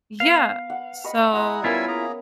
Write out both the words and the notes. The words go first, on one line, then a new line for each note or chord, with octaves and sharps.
Yeah. So
B3 F5
F#5
D#5 B5 C#6
E4 D#5 E5 F#5 A#5
G3 B3 C#4 E4 F4 A#4 G#5 E6
A#3 G#4 A#5